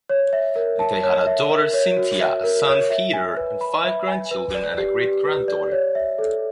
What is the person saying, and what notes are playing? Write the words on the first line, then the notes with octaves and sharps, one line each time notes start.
They had a daughter Cynthia, a son Peter, five grandchildren and a great-granddaughter.
C#5
E5
A#4
A5
C#5
E5
A#4
C#5
F#4
E5
A#4
C#5
E5
G#5
B4
B5
E5
G#5
B4
D5
G4
G4
B4
D5
C#5
E5
A4